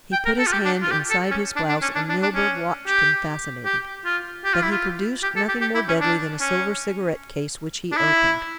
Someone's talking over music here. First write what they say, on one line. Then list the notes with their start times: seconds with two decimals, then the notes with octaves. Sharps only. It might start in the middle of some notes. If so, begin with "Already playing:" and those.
He put his hand inside his blouse and Milburgh watched him fascinated, but he produced nothing more deadly than a silver cigarette-case, which he opened.
0.12 G5
0.25 A#4
0.39 A4
0.47 F4
0.52 G4
0.65 D4
0.82 F4
0.91 G4
1.10 A4
1.31 C#4
1.56 D4
1.69 D4
1.82 C#4
1.95 D4
2.09 D4
2.22 D4
2.35 C#4
2.87 G4
3.65 G4
4.05 F4
4.45 G4
4.54 F4
4.62 E4
4.72 F4
5.23 G4
5.36 A4
5.49 G4
5.61 G4
5.75 E4
5.88 C#4
6.00 D4
6.41 C#4
7.92 D4
7.97 E4